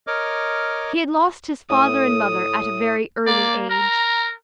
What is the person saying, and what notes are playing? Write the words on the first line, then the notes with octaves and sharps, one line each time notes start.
He had lost his father and mother at a very early age.
A#4 C#5 D#5 D6 F6
A2 D#6
A#3 D5
A#4 A#5